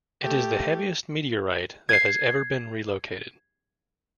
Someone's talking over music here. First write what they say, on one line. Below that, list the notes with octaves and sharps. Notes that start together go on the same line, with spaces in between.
It is the heaviest meteorite that has ever been relocated.
A3 G4
G#6 C7